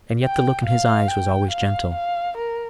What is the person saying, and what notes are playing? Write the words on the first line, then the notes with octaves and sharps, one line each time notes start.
And yet the look in his eyes was always gentle.
G5
F5
G5
F5
F5
A#4